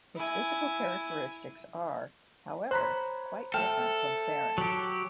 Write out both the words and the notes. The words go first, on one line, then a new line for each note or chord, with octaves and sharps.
Its physical characteristics are, however, quite different from sarin.
E4 G#5
C5 C#5 A#5 B5 F#6
A3 A4 G5 F6
F#3 G4